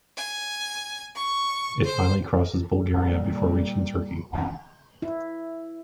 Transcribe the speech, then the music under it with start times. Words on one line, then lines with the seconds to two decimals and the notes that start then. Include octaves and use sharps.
It finally crosses Bulgaria before reaching Turkey.
0.17 G#5
1.15 C#6
1.84 C5
3.02 A#2 G3
5.02 E4